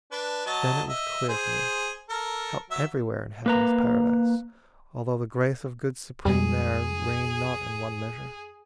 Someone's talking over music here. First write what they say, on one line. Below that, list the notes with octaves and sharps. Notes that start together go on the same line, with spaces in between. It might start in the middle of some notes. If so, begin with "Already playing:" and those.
Then it was clear to me how everywhere In heaven is Paradise, although the grace Of good supreme there rain not in one measure.
D4 B4
F#3 D#5 A5
D#5 E5
G#4 C5
A4 A#4
F#3 E5
A#3 B4 A#5
F2 G3 G#3 G#4